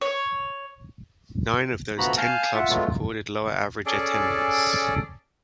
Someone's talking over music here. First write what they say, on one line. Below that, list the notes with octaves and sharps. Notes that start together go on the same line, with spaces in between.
Nine of those ten clubs recorded lower average attendance.
C#5
D2 F3 B3 F#4 A#5 B5
F5 G#5 A5 F6 G6
F4 E5 F#5
F#3 G#3 A3 B3 F4
C#4 G#4 A4 D5